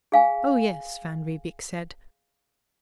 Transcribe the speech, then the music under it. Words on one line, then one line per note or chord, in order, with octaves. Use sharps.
"Oh, yes," van Riebeek said.
G#4 F5 G#5